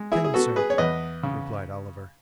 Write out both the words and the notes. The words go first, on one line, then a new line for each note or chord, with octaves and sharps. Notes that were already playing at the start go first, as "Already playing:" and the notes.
'Ten, sir,' replied Oliver.
Already playing: G#3
E4 G#4
G#4
B3 F#4 A4
G#4 B4
C#5
E2 B4 D#5
C#3